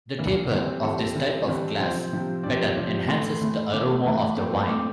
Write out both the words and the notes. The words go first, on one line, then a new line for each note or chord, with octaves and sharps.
The taper of this type of glass better enhances the aroma of the wine.
E3 A#3 D4
E3 G3 C4
E3 G3 C4 A4
E3 G3 C4
E3 G3 C4
C3 F3 C4 C5
C3 F3 C4
C3 F3 C4 D5
C3 F3 C4
A2 E3 A3 C6
A2 E3 A3
A2 E3 A3 D6
A2 E3 A3
A#2 A3 C4
A#2 A3 C4 D6